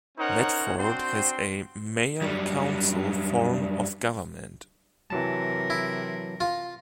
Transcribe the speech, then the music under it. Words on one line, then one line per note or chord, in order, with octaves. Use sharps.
Medford has a mayor-council form of government.
C#4 D#4 A#4 C5 C#5 F#5
C4 D4 F#4 C5 G5 C6
F#2 G3
C3 E3 F#3 A#4 A5
E4
F4